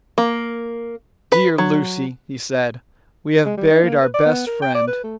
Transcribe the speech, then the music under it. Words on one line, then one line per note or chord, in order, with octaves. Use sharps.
"Dear Lucy," he said, "we have buried our best friend."
A#3
B4
F#3
G#3
G3
D#4
A#3
B4
D5
B3
A#4
G5
D5
B4
A3